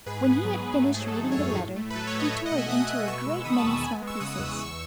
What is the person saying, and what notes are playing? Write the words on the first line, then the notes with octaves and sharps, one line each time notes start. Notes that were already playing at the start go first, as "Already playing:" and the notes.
When he had finished reading the letter he tore it into a great many small pieces.
G#2 G#4 B4
B3
F#3
G#2
A3
G#4
F#3
A4
D#3
A4 C#5
F#2
A4 C#5
A2
A3
B4
F#3 A4
A4 C#5
A2
B4 D#5
A3 C#5 E5
D#5 F#5
B2
E5 G#5
A3 D#6 F#6
B2
B3 C#6 E6
G#3 C#6 E6
D#3 B5 D#6
A5 C#6
E2
A5 C#6
B3 G#5 B5
G#3
C#6 E6
C#3 D#6 F#6
E2
E2 C#6 E6